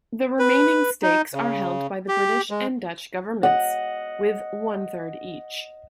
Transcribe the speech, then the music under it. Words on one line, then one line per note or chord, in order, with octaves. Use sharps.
The remaining stakes are held by the British and Dutch governments, with one-third each.
B4
D#4
C#3
G4
G#3
D#5 F#5